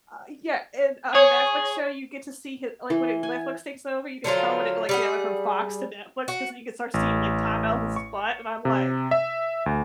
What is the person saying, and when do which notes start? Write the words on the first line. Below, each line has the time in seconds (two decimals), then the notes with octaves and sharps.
Uh, yeah, and on the Netflix show you get to see hi like, when it, Netflix takes over, you can tell when it, like, you know, went from Fox to Netflix 'cause then you can start seeing, like, Tom Ellis's butt, and I'm like,
1.15 G#4 C#5
2.90 E3
3.23 G#5
4.24 D3 F3 F#3 F4
4.89 G3 G#4 F#5
6.28 F#4
6.94 A1
7.96 C#6
8.65 C3
9.11 E5
9.66 D2